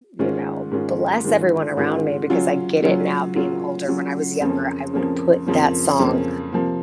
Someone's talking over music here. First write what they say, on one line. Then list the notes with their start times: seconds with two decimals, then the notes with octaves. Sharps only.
you know, bless everyone around me, because I get it now being older. When I was younger, I would put that song
0.19 G#2 D#3 G#3 C#4 F4
0.71 G#2 D#3 G#3 C#4 F4
1.24 G#2 D#3 G#3 C#4 F4
1.77 G#2 D#3 G#3 C#4 F4
2.30 C#3 F#3 C#4 F4
2.82 C#3 F#3 C#4 F4
3.35 C#3 F#3 C#4 F4
3.88 C#3 F#3 C#4 F4
4.41 F2 C#3 F3 A#3 C#4
4.93 F2 C#3 F3 A#3 C#4
5.46 F2 C#3 F3 A#3 C#4
5.99 F2 C#3 F3 A#3 C#4
6.52 C3 F3 A#3